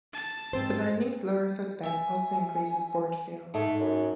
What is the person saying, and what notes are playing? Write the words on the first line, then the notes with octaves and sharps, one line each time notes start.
The binding's lower foot bed also increases board feel.
A5
G#2 C4 C5
E5 G#5
G#2 A3
F#2